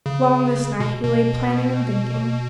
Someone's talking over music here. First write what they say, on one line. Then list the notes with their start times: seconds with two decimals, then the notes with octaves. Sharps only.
Long this night he lay planning and thinking.
0.06 C#3
0.80 B2
1.04 B2